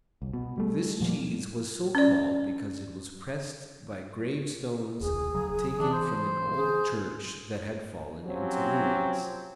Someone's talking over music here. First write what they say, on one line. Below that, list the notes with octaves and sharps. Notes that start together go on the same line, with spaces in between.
This cheese was so called because it was pressed by gravestones taken from an old church that had fallen into ruins.
C2
B2
G3 A3
A#2 F3 G3 A#3
C#4 D5
D#1 C2 G#4
F1 C#3 F#3
E3 D4
C5
G#4
F3 F#3 C4 C#4 G4